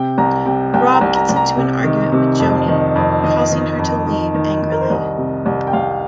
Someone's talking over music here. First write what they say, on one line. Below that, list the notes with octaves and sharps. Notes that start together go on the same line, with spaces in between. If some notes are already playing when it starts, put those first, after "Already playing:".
Rob gets into an argument with Joanie, causing her to leave angrily.
Already playing: C3 G5
C2 A#5
C3 G5
C2 G5
A#5
C2
A#5
C2
A#5
C3
D#3
C3
F2
D#3
F2
D#3 D#5
D#3
F2
D#3
D#3
D#3
A#4
C5
C2 D#5
C3
C2
G5
C2 F5